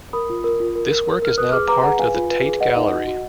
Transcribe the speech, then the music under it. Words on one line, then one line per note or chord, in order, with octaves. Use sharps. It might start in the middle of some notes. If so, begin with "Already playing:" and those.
This work is now part of the Tate Gallery.
A#4 B5 D#6
F4
A#4
F4
A#4
A#4
A#4
A#4 F6
B4 D#6 F#6
G#4 D6 F6
B4 A#5 D6
G#4 F#5 A#5
B4 F5 G#5
F4
B4
G#4
B4 D#5 F#5
D#4
F#4
F#4